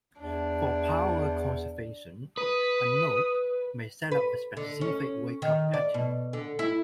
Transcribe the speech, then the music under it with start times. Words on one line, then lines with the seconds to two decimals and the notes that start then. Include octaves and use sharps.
For power conservation, a node may set up a specific wake up pattern.
0.20 E2 D4
2.37 B4 D#6
4.12 B4
4.57 D3
4.81 C#4
5.42 D#3
5.74 D5
5.94 B2
6.33 D3
6.59 E4